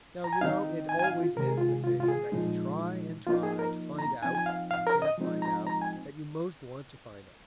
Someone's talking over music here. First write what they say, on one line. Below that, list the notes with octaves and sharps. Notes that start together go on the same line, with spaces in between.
Now you know it always is the thing that you try and try to find out and can't find out that you most want to find out.
A#5
G#5
D#3 C4 D#4 F5
G#5
G#5
F5
F4
C3 D#3 G#3 A#4
G#4
F4
G#4
F4
F4
G#4
A#2 F3 G#3 D#4
F3 A#3 D#4 F4
G#4
A#4
A#5
F3 C4 D#4 G#5
G#5
F5
F5
A#4
D#5
F3 G#3 C4 D#4
A#5
A#5
G#5